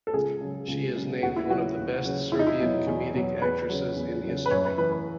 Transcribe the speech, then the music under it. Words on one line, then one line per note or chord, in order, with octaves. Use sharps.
She is named one of the best Serbian comedic actresses in history.
A4
C#2 G#4
C#3 F#3
C#2
C#3 F#3
D#2 F#4
E4
C#3 F#3 F#4
D#2
C#3 F#3
E2 E4
D#4
E4
B2 F#3
E2
B2 F#3
E2 B4
C#3 F#3
E2
C#3 F#3
B4
F#2 C#5
B4
E3 B4
B4